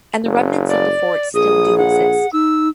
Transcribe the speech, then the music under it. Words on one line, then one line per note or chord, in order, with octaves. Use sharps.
And the remnants of the fort still do exist.
F#1
D5
A#1 G#4 D#6
F#5
D#4 E6